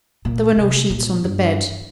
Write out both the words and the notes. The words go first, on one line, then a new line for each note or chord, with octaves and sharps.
There were no sheets on the bed.
A#2
C3
A#2
G2